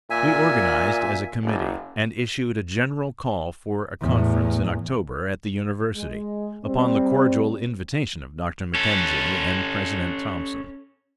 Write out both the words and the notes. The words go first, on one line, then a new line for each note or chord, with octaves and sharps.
We organized as a committee, and issued a general call for a conference in October at the university, upon the cordial invitation of Dr. McKenzie and President Thompson.
A#2 E5 G#5
F#1
E2 A2
G#3
G3 C4
C#4 A4